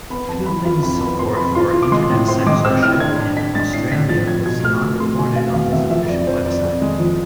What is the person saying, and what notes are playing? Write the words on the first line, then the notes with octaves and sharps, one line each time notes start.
Fielding's support for Internet censorship in Australia was not reported on his official website.
B3 B5
F2 A5
E3 B5
F4 B5
F2 B5
B3 B5
B3 C6
F2 B5
F4 C6
F4
D6
G#3 C6
A2
C4 C6
G#3 D6
C4 E6
A2 F6
D4 G#6
D4
D4 B6
G#3 A6
A2 C7
A2 B6
F3 A6
F3 G#6
B2 G#6
A3 F6
A3 E6
A3 C6
B2 G#5
A3 F5
E2 F5
E2 E5
F3 E5
F2 D5
F2 C5
F2 D5
F2
G#3
F3